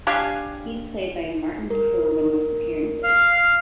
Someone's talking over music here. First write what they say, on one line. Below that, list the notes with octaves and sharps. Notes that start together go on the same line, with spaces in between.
He is played by Martin Kove in most appearances.
D4 G4 F5 G#5
A#4
F5 F6